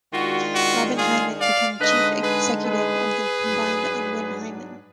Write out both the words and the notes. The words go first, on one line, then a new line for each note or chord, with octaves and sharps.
Robin Hyman became chief executive of the combined Unwin Hyman.
D#3 G#3 D4 F4 F#4
F#4
F4 G#4
D5 F5
D3 G#3 D#4 B4 D#5
G#4 B4
G#4 B4
G#2 F#3 D4